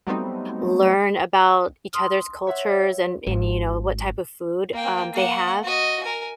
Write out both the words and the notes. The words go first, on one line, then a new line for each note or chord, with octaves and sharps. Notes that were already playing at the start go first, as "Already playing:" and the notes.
learn about each other's cultures, and and, you know, what type of food, um, they have,
F#3 G3 A3 B3 C4 D#4
C6 D#6 F6
C#5 E5 F#5
G#1
A#3 G5
A#3 F#5
F#4 D#5
A#4 G#5